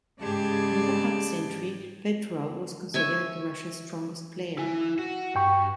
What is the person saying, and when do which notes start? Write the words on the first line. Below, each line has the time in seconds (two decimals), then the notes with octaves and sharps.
For over half a century Petrov was considered Russia's strongest player.
0.19 G#2 C#3 G4 D5 A5 G#6
2.94 C#5 E5 G#5
4.58 E4 G#5
4.99 F#4
5.36 G2 G5 C#6